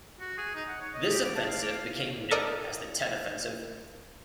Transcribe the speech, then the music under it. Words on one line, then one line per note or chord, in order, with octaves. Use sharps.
This offensive became known as the Tet Offensive.
F#4
G#4
D#4
F#5
C#5
D#5
G4
D5
A5
F5
D5
F5
A4 A#4 D5 D#5